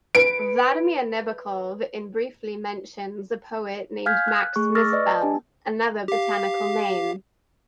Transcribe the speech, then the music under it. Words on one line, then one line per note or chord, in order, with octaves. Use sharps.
Vladimir Nabokov in briefly mentions a poet named Max Mispel, "another botanical name".
B4 C#7 D7
F5 G#5 F6 G6 G#6 B6
F#6
A3 G#4 C#6
C#6 D6 E6 F6 A6 A#6
B4 D5 D#5
D4 G4 G#5 A5
G4 F5